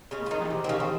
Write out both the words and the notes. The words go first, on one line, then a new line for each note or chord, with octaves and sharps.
That's not cool.
C#3 G#3 C#4
F4
D#3 D#4
C3
C4
C#3 C#4
C4